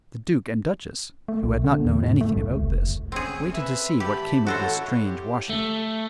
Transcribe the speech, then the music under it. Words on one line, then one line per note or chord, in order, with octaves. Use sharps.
The duke and duchess, who had not known anything about this, waited to see what came of this strange washing.
A3
B1
D3
E2
A2
A3
C2
C#2
F1
C4 C#4 G#4
B4 E5
G4 A5 B5
E4 F#4 A4 C5 C#5
G4
A3